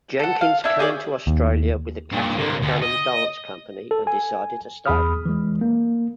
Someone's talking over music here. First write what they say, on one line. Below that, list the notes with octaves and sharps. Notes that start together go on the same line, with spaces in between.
Jenkins came to Australia with the Katherine Dunham Dance Company and decided to stay.
A4 F#5
F5
D4 E4 E5
G4 G#4 C#5 D5
D#2
G2 A#2
C3 A#3
D2
D#5
A4
G#5
E2 G#4 B5 D#6 F6
E3 G#3
A#3